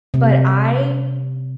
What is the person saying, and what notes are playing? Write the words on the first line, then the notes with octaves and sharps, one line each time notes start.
but I
C3